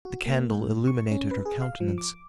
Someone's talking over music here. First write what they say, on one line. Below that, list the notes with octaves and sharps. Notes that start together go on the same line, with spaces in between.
The candle illuminated her countenance.
F#4
A#3
G#2
C#6
C#4
B4
G#4
F5
F3
D6